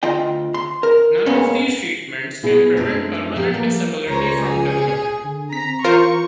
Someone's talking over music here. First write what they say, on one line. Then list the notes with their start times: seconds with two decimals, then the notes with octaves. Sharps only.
None of these treatments can prevent permanent disability from developing.
0.03 D2 F4 D#5 G5
0.54 C6
0.83 A#4
1.26 G#2 A#3 B3 C#4
2.43 B2 E4 G#4
2.76 F#2 A3 C4 D4 D#4
3.36 F3 F#3 G4
3.54 F3 G3 A#3
4.08 C#2 C5 C#5 A#5
4.38 G#4
5.24 D3
5.53 C4 A#5 B6
5.84 E3 F4 A#4 C5 C#6